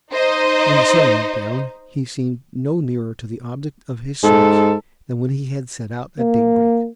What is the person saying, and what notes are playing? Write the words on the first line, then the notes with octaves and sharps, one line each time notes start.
When the sun went down he seemed no nearer to the object of his search than when he had set out at daybreak.
D#4 C5 D#5
G#2 A4
A#3